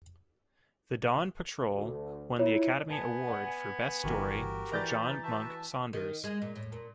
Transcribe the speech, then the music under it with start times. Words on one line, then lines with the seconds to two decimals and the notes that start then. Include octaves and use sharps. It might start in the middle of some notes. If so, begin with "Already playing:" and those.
"The Dawn Patrol" won the Academy Award for Best Story for John Monk Saunders.
1.74 D2
2.39 E4 F4 C#5
2.90 B3 G#5 A5
3.28 D5 F#5
4.04 G1 E3 F#4 G4 A#4
4.72 E3 B4 D5 A#5 G6 A6
5.24 F#4 B4 E5 A5
5.93 D#3
6.24 G#3
6.42 A#2
6.56 A2
6.72 A#2